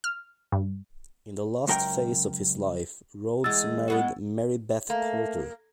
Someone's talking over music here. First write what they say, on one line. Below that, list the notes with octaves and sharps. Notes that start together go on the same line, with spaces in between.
In the last phase of his life, Rhodes married Mary Beth Coulter.
F6
G2
C#2 F#2 A#4 G5
E2 G#3 E6 A6
G#3 B3 F#4
A3 A#3